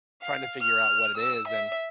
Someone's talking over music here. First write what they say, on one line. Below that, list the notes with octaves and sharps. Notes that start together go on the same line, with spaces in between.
trying to figure out what it is, and,
F5
F6
E6
E5